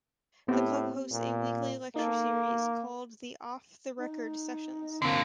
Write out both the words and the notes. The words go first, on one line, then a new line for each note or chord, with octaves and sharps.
The club hosts a weekly lecture series called the Off-the-Record Sessions.
A2 B3 C4 G4
A#2
A#3 D#4 A4
D#4
D3 A#3 C4